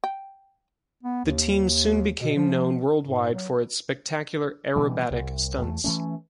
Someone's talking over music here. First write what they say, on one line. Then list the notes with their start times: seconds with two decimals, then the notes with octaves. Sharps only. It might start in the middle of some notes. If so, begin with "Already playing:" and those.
The team soon became known worldwide for its spectacular aerobatic stunts.
0.04 G5
1.03 B3
1.25 D#2
2.21 B2
2.35 F3
3.06 G#2
3.33 F#3
4.76 B2 E3 G3
5.10 C2
5.62 E2 A3
5.84 E3 A3 C#4